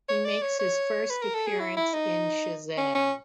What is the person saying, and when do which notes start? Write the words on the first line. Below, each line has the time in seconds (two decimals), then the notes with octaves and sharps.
He makes his first appearance in Shazam!
0.09 C#5
0.25 D5
0.42 C#5
0.59 C#5
1.10 B4
1.22 A#4
1.34 A4
1.47 G#4
1.60 E4
1.77 E4
1.93 D#4
2.78 C#4
2.95 C#4